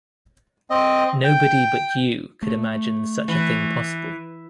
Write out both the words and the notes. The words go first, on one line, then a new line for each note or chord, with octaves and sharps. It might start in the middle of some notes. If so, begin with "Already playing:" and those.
Nobody but you could imagine such a thing possible.
C4 D#5
G5
A3
E3